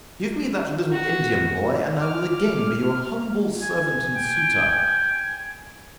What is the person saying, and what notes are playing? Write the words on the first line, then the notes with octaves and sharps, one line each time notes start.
"Give me that little Indian boy, and I will again be your humble servant and suitor."
F#4
D6 F6
G#5
G5